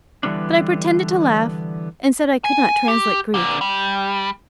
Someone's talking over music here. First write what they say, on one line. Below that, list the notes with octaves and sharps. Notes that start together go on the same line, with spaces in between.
But I pretended to laugh, and said I could not translate Greek.
D3 E3 G3 B3 C#4 D4
G#5
G4
A#2 D3
G3